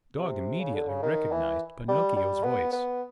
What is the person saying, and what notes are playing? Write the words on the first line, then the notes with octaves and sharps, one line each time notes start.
The Dog immediately recognized Pinocchio's voice.
C3
C#3
D3
C#3
D#3
E3
G3
G3
B3
B3